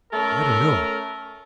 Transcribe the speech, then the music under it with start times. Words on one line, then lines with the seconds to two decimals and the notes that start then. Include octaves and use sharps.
"I don't know."
0.13 A3 C#4 A4 A#4